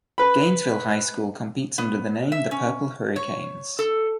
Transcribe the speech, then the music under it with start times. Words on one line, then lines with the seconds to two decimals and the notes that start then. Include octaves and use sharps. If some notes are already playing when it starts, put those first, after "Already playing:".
Gainesville High School competes under the name The Purple Hurricanes.
0.18 B4 B5
1.78 B3
2.32 E5
2.51 C#4
3.16 C#5
3.79 A4